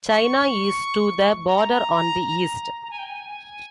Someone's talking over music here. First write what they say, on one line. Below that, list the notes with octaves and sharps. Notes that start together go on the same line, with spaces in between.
China is to the border on the east.
C#6
A#5
A#5
G#5
G5
G#5